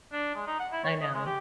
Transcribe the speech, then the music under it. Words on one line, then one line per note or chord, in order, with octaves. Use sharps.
I know.
D4
G#3
D#4
F#5
E4
C#5
D#5
G#3
G4